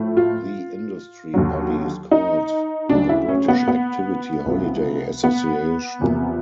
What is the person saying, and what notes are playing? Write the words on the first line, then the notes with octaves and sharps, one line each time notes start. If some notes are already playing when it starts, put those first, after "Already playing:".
The industry body is called the British Activity Holiday Association.
Already playing: A2 F3 A3
F4
D#2 D3 F#3
D#4
D2 C#3 F#3 D4
E4
C#4
B3
B3
C#2 C3 F3
B3
E2 C3 F3 A#3